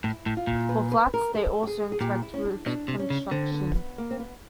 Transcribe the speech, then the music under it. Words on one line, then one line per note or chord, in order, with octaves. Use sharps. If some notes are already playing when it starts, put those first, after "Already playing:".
For flats, they also inspect roof construction.
A2 E4
A2
F4
A#2
B4
B4
A#4
A4
G4
G#4
G#4
A#2 G4
E4
C#4
D4
B2 D4
C3
C#4
C#3
D3 C4
B3
B3
A#3
C4
B3